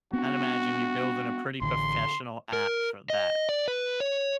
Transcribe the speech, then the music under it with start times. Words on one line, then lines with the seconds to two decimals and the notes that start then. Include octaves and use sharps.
I'd imagine you're building a pretty professional app for that.
0.13 B3 C4 D4 F#4
1.62 A1 D3 C6
2.53 A#4
3.10 D#5
3.49 D5
3.68 B4
4.00 C#5